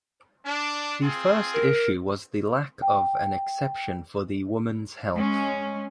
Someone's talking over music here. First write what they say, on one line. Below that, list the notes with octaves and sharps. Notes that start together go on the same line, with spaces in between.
The first issue was the lack of an exception for the woman's health.
D4
C4 F4 G#4
A#4
G5
G#3 C#4